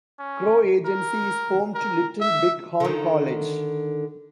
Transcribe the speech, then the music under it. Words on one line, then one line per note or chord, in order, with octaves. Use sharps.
Crow Agency is home to Little Big Horn College.
C#4
A#4
A#4
E5
D3 D#3